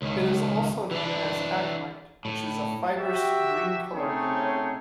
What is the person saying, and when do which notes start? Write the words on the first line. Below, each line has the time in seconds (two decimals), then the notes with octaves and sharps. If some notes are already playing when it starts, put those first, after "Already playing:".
It is also known as acmite, which is a fibrous, green-colored variety.
0.02 C#2 D#3
0.91 E3 D4
2.25 A2
2.98 F#4 G4 E5
3.94 A3 C4 C#4 D#4 G#4 C#5